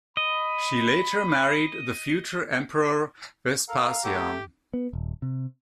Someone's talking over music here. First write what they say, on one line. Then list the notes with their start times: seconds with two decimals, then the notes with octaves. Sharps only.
She later married the future Emperor Vespasian.
0.17 D#5 B5
3.69 A4 A#4 F5 A#5
4.04 A3 B3 G4 A4 C#5
4.74 B3
4.93 D#1
5.22 C3